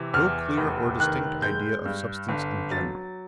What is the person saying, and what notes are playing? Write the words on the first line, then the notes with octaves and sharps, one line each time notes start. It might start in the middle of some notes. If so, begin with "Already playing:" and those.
No clear or distinct idea of Substance in general.
Already playing: C3 E3
E2 F6
F1
D#3 F#6
G#3 G6
G2
G1
F#3 A6